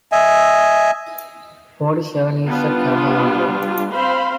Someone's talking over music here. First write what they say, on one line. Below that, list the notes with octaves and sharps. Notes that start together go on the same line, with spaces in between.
Forty-seven is a Carol number.
D#5 E5 G#5
G3 B3 D4 F4
C4 C5 F5 B5 C6